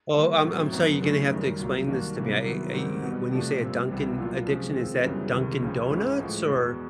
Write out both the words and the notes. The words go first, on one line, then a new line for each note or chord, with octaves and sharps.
Oh, I'm I'm sorry, you're gonna have to explain this to me, I I when you say a "Dunkin' addiction," is that Dunkin' Donuts or
D#3 G3 A#3
A2 F#3 A3 C4
F#2 D#3 F#3 B3
F#2 C#3 E3 A3 C#4
F#2 D#3 G3
C2 A#2 F#3
D#3 G3 A#3 D4 F#4
C3 E3 G3 A#3 D4
D#3 F#3 B3 E4
G#2 D#3 G3 C4
B2 G3 B3
C3 F3 A3 D4
A#2 G3 C4
C2 C3 E3 G3
A#2 F#3 B3 D4 F4
C3 F3 G#3 C#4
D#3 G#3 C4 F4
F#2 C#3 E3 G3 B3
C#2 C3 D#3
C#2 C#3 F3
G#2 E3 G#3 C#4 E4
A2 F3 G#3
E2 B2 G#3